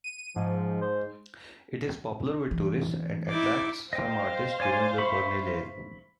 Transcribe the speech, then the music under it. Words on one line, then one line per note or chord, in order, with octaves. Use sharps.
It is popular with tourists and attracts some artists during the Berlinale.
D#7
G#2 F3
C5
E3
D#4 E4 D5 D6
C5 D#5 F5 G5
C#5 D5 G#5
E5 B5 C#6